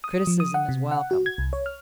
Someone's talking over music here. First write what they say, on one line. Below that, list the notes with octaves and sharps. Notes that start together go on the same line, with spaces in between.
Criticism is welcome.
D#6
F3
D#6
F#5
C3
F#5
F#4
G#6
C2
C#5
F6